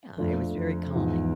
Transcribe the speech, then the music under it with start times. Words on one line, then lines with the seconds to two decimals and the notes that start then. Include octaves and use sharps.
yeah, it was very calming,
0.18 F2 A3 D4 F4
0.57 F2
0.95 E2 G#2 F3 G#3